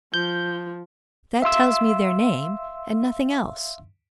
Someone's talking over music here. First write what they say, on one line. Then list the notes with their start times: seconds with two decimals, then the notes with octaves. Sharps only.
"That tells me their name, and nothing else."
0.14 F3 G6
1.42 E5 F5 C6 E6